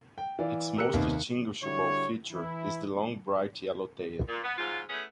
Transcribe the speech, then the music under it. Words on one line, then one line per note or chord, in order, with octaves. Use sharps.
Its most distinguishable feature is the long bright yellow tail.
G5
E3 D5 F5
G4 A#4 E6 F#6 C#7
D#2 C3 A#3 B3 D#4
D3 G3 E4 F#4 C#5
E3 E4
A#2
B3
G#2 F#3 F4
A3 B3 C#4 E4 G#4